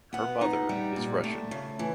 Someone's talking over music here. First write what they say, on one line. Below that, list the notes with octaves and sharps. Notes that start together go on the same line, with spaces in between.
Her mother is Russian.
B3 F#5
D#4
G3
A#2
A3
C#3
E3